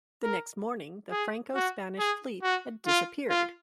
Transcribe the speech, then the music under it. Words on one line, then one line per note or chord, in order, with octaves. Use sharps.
The next morning the Franco-Spanish fleet had disappeared.
A#4
G#4
F#4
G#4
F#4
F4
F4